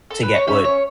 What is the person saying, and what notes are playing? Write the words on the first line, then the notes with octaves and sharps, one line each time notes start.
to get what
A4
B4
C#5
C#4 E5
C#5